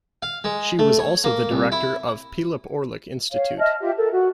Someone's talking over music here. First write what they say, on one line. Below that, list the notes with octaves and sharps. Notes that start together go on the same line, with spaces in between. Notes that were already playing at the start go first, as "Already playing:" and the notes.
She was also the director of Pylyp Orlyk Institute.
F5
G#3
A3
C#5
A#3
C2
E4
C#5 F5
D#5 E5 A5 F6
F4 G4 E5
A4 A#4
F#4